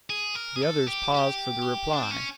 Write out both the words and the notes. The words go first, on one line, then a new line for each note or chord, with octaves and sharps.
The others paused for the reply.
G#4
A#4
G#4
A4
G4
G4
D4
C4
C#4